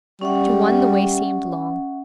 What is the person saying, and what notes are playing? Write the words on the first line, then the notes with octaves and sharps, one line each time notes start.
To one the way seemed long.
G3 C#4 E5 F#5